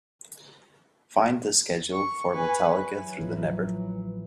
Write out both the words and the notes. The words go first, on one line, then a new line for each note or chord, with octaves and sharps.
Find the schedule for Metallica Through the Never.
C#6
B4 G#5
E3 F#3
A1 F3